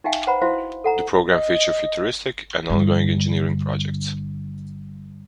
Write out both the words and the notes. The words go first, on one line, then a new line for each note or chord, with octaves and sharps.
The program featured futuristic and ongoing engineering projects.
D#4 G4 E5 F5 G5 G#5
B4 C5 F#5 A#5 B5
E4 F#4 C5 F5
A4 F#5 A#5
D#5
G2 D3